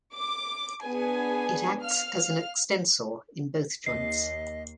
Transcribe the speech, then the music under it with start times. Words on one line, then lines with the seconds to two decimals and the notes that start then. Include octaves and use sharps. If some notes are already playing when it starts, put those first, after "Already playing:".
It acts as an extensor in both joints.
0.15 D6
0.83 B3 D4 G#4 G#5
1.81 F5 F6
3.86 D#2 D#5 C7